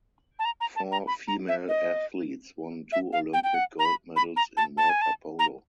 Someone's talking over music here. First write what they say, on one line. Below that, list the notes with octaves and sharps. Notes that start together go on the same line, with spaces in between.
Four female athletes won two Olympic gold medals in water polo.
A5
A#5
A#5
A5
A#5
B5
A#5
E5
D#5
E5
F5
G5
G5
F#5
A#5
B5
B5
A#5
A5
A5
G#5
A5
A#5